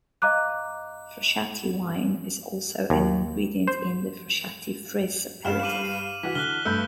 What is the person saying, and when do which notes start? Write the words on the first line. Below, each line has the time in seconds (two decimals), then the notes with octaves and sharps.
Frascati wine is also an ingredient in the Frascati Frizz aperitif.
0.22 D#5 F5 A#5 D6 F#6
2.90 D#2
3.68 C5
5.45 G2 G3 F5 F6 E7
5.63 D6 D#7 F#7
6.23 E3 F#4 B6
6.35 D3 F6 F#6 G7
6.65 G2 A3 E6 G6